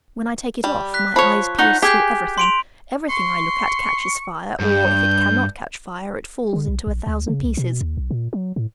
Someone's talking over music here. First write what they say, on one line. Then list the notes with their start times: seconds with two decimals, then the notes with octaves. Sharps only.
When I take it off my eyes pierce through everything. Everything I look at catches fire, or, if it cannot catch fire, it falls into a thousand pieces.
0.64 G3
0.94 F#6 B6
1.16 F3 C#5 B5
1.59 D#4 C#5 F#5
1.82 G4 G#4 G#5 G6 B6
2.38 C6 D7 F7
3.09 C6 C#6
4.61 G2 G6
6.53 D3
6.67 B1
6.87 A#1
7.07 D2
7.28 C#3
7.43 C2
7.57 B2
7.81 D#2
7.97 B1
8.11 A#2
8.33 F#3
8.56 A2